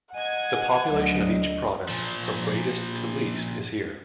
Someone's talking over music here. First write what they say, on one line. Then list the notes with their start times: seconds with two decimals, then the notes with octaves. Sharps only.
The population of each province, from greatest to least is here.
0.14 D#5 F#5 G#5 G#6
0.91 D2 F#3 D#5
1.88 A#2 F3